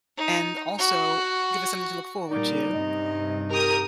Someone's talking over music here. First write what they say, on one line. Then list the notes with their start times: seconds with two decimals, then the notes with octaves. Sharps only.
and also give us something to look forward to
0.17 D#4
0.78 F#4
2.31 A#2 G3 D#4 A#4 D5
2.73 G2 C3 D#5
3.50 G4 A#4 D#6